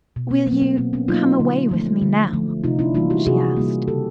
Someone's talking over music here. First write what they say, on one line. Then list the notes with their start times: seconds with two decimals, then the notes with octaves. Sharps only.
"Will you come away with me now?" she asked.
0.16 B2
0.31 B3
0.47 F#3 A#3 C4
0.62 B3
0.77 B2 A#3 C4
0.93 B3 C#4
1.08 F#3 A#3 D#4 F4
1.40 D3
1.71 F3 A3
2.02 D3
2.33 F3 A3
2.64 C3 D#4 F4
2.79 D4 E4
2.95 E3 G3 A#3 D#4 F4
3.10 E4 F#4
3.26 C3 F#4 G#4
3.57 E3 G3 A#3
3.88 C#3 G4 A4